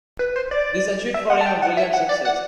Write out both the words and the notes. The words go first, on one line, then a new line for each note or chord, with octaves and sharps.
These achieved for him a brilliant success.
B4
C5
D5
E5
F#5
A5
G5
F#5
E5
F#5
D5
F#5